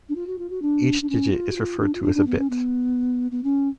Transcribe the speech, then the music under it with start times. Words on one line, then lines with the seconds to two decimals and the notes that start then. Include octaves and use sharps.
Each digit is referred to as a bit.
0.09 D4
0.15 F4
0.27 F#4
0.39 F4
0.50 F#4
0.62 D4
1.02 D4
1.09 C#4
1.33 F4
1.51 F#4
1.56 F4
1.80 D4
1.94 F4
2.03 D4
2.15 D4
2.27 B3
2.38 C#4
2.50 B3
3.31 B3
3.44 C#4